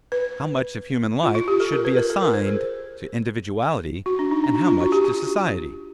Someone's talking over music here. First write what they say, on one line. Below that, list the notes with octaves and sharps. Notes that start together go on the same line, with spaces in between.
How much of human life should be assigned to individuality, and how much to society?
B4
F4
F4
G4
A4
A#4
B4
A#4
A4
A#4
C5
G#4
F#4
D4
D#4
D4
D4
F4
F#4
G4
G4